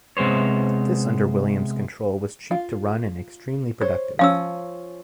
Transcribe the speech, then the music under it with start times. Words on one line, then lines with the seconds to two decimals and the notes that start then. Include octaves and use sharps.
This under Williams control was cheap to run and extremely productive.
0.17 C3 G#3 B3 C5 C#5
2.51 F4
3.81 C5 C#5
4.19 F3 C#4 F5 D#6 E6